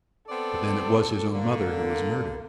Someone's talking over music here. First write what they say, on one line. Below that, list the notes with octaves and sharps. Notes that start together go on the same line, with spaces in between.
"But then it was his own mother who was murdered."
B3 C4 A4 D5
D3 A#3